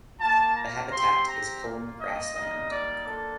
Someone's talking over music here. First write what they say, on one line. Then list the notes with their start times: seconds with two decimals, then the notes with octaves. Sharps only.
The habitat is culm grassland.
0.20 A#3 F4 A5
0.56 A#5
0.92 C4 G4 C6
1.28 A#5
1.63 A#3 F4
2.00 D#5
2.35 G3 A#3 D#4 D#5
2.71 D5
3.06 A#3 D4 F4 A4